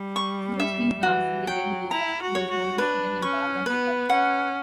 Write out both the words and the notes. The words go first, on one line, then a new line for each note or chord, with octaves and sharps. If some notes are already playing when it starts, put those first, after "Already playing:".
Suraj kills Ramsingh and then Goga, who was holding Kiran and Balraj at gunpoint.
Already playing: G3
C#6
E5
E3 F#4
F#3 G5
E4 A#5
F#4
C#5
F#4
D4 B4
C#4 C#6
B3 B4
C#4 F#5